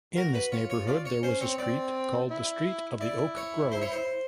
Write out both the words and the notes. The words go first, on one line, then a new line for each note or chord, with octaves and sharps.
In this neighborhood there was a street called the Street of the Oak Grove.
F#4 A#4
B4
F4 C#5
C#5
F4 D5
C#5
C#4 C5
C4 C#5
C4 D5
E4
E4 D5
C#5
C5
C#5
C5